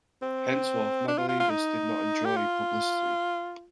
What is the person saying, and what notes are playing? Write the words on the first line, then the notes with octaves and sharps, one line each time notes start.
Henceforth, Maglakelidze did not enjoy publicity.
C4
D4
F4
F4
F4
D#4
G4
F4